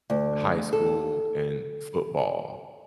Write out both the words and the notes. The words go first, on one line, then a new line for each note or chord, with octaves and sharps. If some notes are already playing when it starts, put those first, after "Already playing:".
high school and football,
D2
A4